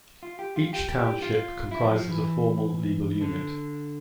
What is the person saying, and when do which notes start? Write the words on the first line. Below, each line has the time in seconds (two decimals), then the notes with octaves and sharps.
Each township comprises a formal legal unit.
0.23 F4
0.39 G4
0.56 F4
0.73 G4
0.89 G4
1.06 G4
1.22 F4
1.71 E4
1.84 F3
1.97 F3
2.09 E3
3.21 D3